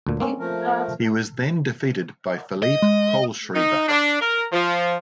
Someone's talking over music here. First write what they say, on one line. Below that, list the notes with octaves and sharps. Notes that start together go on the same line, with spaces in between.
He was then defeated by Philipp Kohlschreiber.
D2 A#2
A#3 C4 C#4
F3 A3 A#4
D#5
G#3
D#4
D4
A#4
F3